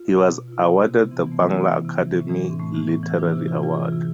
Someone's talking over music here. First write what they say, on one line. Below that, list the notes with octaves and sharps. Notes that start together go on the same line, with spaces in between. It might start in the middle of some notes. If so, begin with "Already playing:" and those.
He was awarded the Bangla Academy Literary Award.
Already playing: F4
B2
B2
B2
F4
B2 E4
B2
C3 C4
C3 B3
E3 C4
B3
E3
A3
E3 B3
F4
E3 A4
C3 E4
C3
E3
A2
E3
A2 D4
C4
A2 A3
E3 B3
A2
E3
E4
E3 D4
C3
E3 F4
E3 F4
E3 G#4
F4
C3